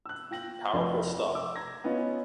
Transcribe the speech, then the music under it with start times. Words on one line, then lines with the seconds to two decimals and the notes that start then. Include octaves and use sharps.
Powerful stuff.
0.06 E6 F#6
0.31 F4 G5 A#6 F#7
0.73 F1 F2
1.35 D6 E6
1.56 A#5 G#6 A#6
1.84 B3 C#4 D#4 F4